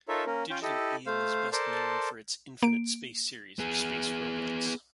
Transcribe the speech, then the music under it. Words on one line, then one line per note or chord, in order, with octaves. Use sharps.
Digital Eel is best known for its Infinite Space series of space roguelikes.
D#4 F4 A4 A#4 C#5 E5
A#3 C#4 A#4
C#4 F4 C#5 G5
E4 G4 A4 D#5
A3 C5 F5
A4 A#4 C5 D5 A5 C6
A#3 D7
B3 G#4